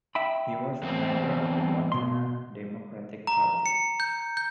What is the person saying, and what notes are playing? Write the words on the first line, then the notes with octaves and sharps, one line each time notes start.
He was a member of the Montana Democratic Party.
E5 G5 B5
E2 C4
B2 C6
A#5
C#7
G6
G6